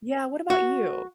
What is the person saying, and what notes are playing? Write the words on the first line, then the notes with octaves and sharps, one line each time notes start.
Yeah, what about you?
F#4